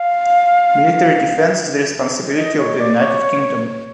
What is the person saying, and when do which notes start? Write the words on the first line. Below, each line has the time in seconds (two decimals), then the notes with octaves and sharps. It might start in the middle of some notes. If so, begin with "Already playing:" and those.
Military defence is the responsibility of the United Kingdom.
Already playing: F5
2.37 D#5
2.58 C#5
2.79 D5
2.99 C#5